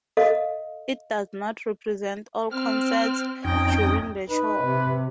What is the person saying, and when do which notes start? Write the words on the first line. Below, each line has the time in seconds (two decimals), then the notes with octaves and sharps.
It does not represent all concerts during the tour.
0.17 A4 D#5 F5
2.51 C4 F6
3.45 F2 C#4 D#4 G5 D#6
4.30 D#4 B4
4.64 C3